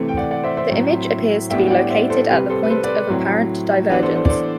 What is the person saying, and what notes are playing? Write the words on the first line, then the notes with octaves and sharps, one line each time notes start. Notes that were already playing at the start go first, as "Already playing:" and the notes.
The image appears to be located at the point of apparent divergence.
Already playing: C3 E3 A3 C4
G5
D5 F#5
D5 F#5
C5 E5
C5 E5
A2 F#3 C4
A2 G3 B3 D4 E5 G5
G5
D5 F#5
C5 E5
A4 C5
C3 G3 C4 G4 B4
A4 C5
B4
A4 C5
B4 D5
A2 F#3 C4
E3 B3 D4 G4 B4
A4 C5
A4 C5
D5
A4 C5